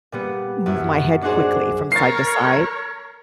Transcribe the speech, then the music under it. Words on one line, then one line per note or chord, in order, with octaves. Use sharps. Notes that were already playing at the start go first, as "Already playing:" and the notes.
move my head quickly from side-to-side,
A#2 G3 B3
F#2 E4
D4 D#4 F#4 G#4 C5 D5
A#4 C#5 A6 C7